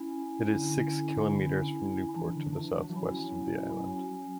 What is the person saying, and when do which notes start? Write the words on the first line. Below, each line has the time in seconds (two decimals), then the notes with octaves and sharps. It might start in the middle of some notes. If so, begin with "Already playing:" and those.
It is six kilometres from Newport in the southwest of the island.
Already playing: C#4 E4
0.54 D3
1.35 C#4 E4
2.16 E3 D4
2.36 D3
2.52 D3
2.56 E3 D4
2.77 F#3
2.90 E3
2.96 F#3 C#4 E4
3.78 C#4